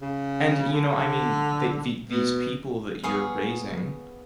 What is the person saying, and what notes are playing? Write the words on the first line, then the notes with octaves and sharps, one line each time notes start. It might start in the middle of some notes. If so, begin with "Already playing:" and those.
And you know, I mean, they the these people that you're raising
C#3
D3
B2
B3 G#4 C#5 F5